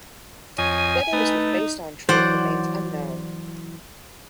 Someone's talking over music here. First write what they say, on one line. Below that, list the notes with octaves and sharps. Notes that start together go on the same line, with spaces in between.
Whether this was based on truth remains unknown.
F2 C#5 D#5 G#5
A3 D#4 B4
E3 F#3 C5 D5 F#5